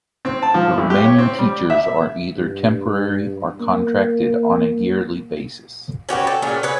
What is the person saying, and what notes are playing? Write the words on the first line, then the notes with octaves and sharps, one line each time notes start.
The remaining teachers are either temporary or contracted on a yearly basis.
C4
A5
F3
B1
G4
C#5
C4
G3
E5
G2
A#3
C#4 F#4 G4 B4
A4
A#2 C#4 D4 G#4
G#4 B4 C#5